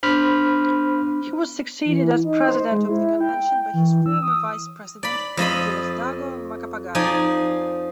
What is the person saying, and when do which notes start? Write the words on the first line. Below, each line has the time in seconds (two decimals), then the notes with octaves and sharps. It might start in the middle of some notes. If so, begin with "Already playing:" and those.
He was succeeded as president of the Convention by his former Vice-President, Diosdado Macapagal.
0.03 B3 D4 C5 B5 F6
1.86 E3
2.24 D#4
2.49 C5
2.71 G#3
2.89 E4
3.20 G5
3.74 E3
4.06 E6
4.22 D#6
5.03 D5 B5
5.37 F2 F4 D#5 B5
6.95 F3 D#4 D5 G#5